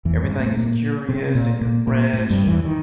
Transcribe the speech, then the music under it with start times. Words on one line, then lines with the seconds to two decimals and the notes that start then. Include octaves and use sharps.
everything is curious and you're fresh and,
0.05 E2 E3
0.23 G#2 G#3
0.40 A2 A3
0.57 A#2 A#3
1.09 C3 C4
1.35 A#2 A#3
1.61 A#2 A#3
1.87 A#2 A#3
2.13 A2 A3
2.30 G2 G3
2.47 E2 E3
2.65 D#3